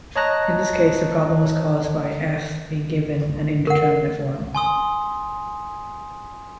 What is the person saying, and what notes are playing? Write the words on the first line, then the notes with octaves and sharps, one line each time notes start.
In this case the problem was caused by "f" being given an indeterminate form.
C#5 D#5 A5 A#5 F#6 A#6
A#4 F#5
G#5 C6 D#6